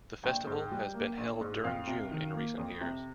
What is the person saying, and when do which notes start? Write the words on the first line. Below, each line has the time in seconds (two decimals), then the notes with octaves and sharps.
The festival has been held during June in recent years.
0.23 A#1 G5
0.47 G#2
0.71 G3
0.94 A#3
1.17 A#1
1.41 G#2
1.64 F2 F5
1.87 C3
2.11 D#3
2.34 A#3
2.57 F2
2.81 C3